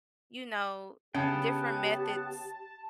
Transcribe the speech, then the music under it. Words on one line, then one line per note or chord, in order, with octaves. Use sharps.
you know, different methods
C#3 B3 C#4 G4 G5 A5